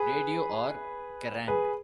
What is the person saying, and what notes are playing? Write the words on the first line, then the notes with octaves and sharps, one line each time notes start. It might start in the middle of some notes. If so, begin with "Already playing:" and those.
Radio or Kerrang!
Already playing: G#4 B4
G#4 B4